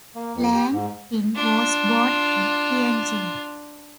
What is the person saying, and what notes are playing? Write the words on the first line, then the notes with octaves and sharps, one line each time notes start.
Lang Ping was born in Tianjin.
A#3
F2
G4
G#2
D4 F4